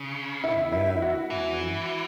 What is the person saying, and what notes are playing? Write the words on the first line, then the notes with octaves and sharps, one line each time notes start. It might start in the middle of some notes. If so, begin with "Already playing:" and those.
Yeah, you know,
Already playing: C#3
E4
E4
E4
F#4
E3